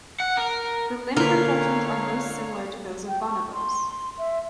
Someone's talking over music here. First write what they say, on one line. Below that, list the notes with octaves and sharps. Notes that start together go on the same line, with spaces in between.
The limb proportions are most similar to those of bonobos.
F#5
A#4
D3 A#3 F4 A#4 B4 C#5 F5
G5
C#6
C6
E5